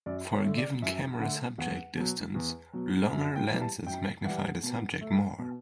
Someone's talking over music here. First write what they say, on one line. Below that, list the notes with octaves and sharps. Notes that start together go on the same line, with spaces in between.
For a given camera-subject distance, longer lenses magnify the subject more.
F#2 D5
C#5
D3 A3
D5
F#2 E5
D3 A3 F#5
E2 F#5
B2 F#3
E2
B2 F#3
F#2
G5
E3 G3
A5
F#2 G5
E3 G3 F#5
B2
A3
B2